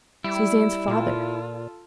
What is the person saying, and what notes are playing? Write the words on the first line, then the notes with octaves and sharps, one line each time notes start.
Suzanne's father!
G3 E4
A#2 F4 A4